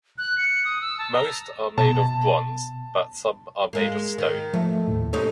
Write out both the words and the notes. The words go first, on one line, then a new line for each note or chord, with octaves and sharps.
Most are made of bronze but some are made of stone.
F#6
C#7
D#6
E6
A5
A#5
B2 A5
G#3 A#3
D#3
F3 A3
D#2 A2
C3 C#4 D#4 A4